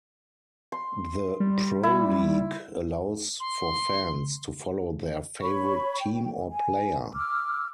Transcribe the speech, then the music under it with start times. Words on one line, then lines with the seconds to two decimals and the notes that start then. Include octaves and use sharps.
The Proleague allows for fans to follow their favorite team or player.
0.72 C6
1.40 G3
1.83 E4
3.40 C6
5.42 C#5 B5 C#6
5.99 G5
6.51 G#5
7.15 D6 E6 F6